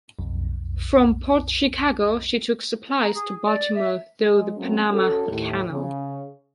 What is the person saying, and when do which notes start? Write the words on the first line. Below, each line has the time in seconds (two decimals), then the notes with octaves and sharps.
From Port Chicago she took supplies to Baltimore though the Panama Canal.
0.19 B1 F2
3.03 A#5
3.14 G#4
3.45 D5
3.75 E5
4.21 G#3
4.57 F#3 A3 A#3 C4 C#4
4.90 C#4 F#4 A4
5.29 D#2 A2
5.71 C#3